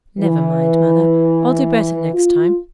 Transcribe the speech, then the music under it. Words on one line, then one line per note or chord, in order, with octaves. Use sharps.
'Never mind, Mother; I'll do better next time.'
E3
F4